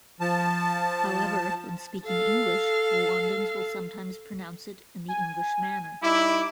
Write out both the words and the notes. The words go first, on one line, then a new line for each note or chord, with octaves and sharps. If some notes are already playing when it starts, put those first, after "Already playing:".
However, when speaking English, Rwandans will sometimes pronounce it in the English manner.
F3 A5
A4 F5
G#5
G3 D#4 E4 D6